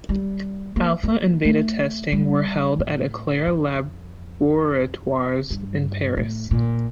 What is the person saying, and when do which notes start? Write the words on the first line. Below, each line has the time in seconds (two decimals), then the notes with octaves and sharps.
Alpha and beta testing were held at Eclair Laboratoires in Paris.
0.09 G3
0.76 A#3
1.03 A#3
1.45 A3
2.12 G3
2.79 A2
3.47 F2
5.50 G2
6.17 A2
6.51 A#2